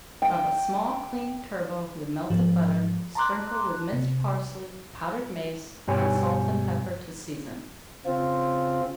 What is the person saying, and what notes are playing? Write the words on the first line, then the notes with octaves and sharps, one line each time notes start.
Rub a small cleaned turbot with melted butter, sprinkle with minced parsley, powdered mace, and salt and pepper to season.
G5
G#2 F3
A5 A#5 C6 D6 F#6
C3
G2 B2 G4 C#5 G#5
C#3 C4 F4